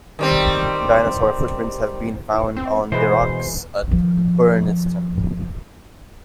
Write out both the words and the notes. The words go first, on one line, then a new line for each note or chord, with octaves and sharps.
Dinosaur footprints have been found on the rocks at Burniston.
D#3 G3 C4
C4
B2 E3 G#3 B4 C5
D#3 F3